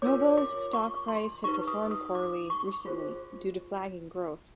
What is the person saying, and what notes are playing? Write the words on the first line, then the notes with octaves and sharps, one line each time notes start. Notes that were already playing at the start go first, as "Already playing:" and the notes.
Novell's stock price had performed poorly recently due to flagging growth.
F4 A#4 C#5 D6
D6
C#6
C6
D#4 G#4 B4 C#6
D#6
D#6
D6
C#6
F4 G#4 C5